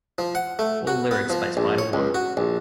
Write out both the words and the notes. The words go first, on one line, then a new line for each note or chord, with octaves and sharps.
All lyrics by Spider One.
F3
F#5
A3
F#4
B3
F3
A#1
C#5
C#2
F#4
A#1